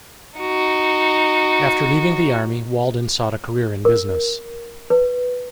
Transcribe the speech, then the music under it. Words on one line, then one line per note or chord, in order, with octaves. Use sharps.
After leaving the army, Walden sought a career in business.
D#4 F#4
A#4
B4